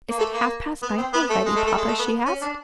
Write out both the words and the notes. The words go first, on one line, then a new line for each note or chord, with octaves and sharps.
"Is it half-past nine already, papa?" she asked.
A#3
A3
A#3
B3
C4
B3
A3
G#3
A3
A3
G#3
A3
B3
C#4
D4